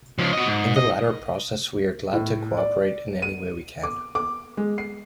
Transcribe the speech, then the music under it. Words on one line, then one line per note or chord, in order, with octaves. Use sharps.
In the latter process we are glad to cooperate in any way we can.
C#2 F3
F#4 D#5
G#2
D#5
A2
D5
D#7
D6
D6
G#3
C7